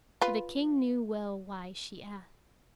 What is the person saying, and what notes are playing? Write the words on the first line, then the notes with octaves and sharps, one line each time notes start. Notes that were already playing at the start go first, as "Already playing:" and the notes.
But the King knew well why she asked.
F4 B4